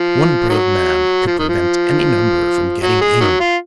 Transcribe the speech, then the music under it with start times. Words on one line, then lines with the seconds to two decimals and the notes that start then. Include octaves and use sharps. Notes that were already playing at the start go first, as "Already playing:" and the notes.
One brave man could prevent any number from getting in.
Already playing: F3
0.50 D#3 F#3
1.27 F3
1.38 D#3
1.49 F3
2.83 F#3
3.01 G#3
3.21 D#3 F#3
3.40 F4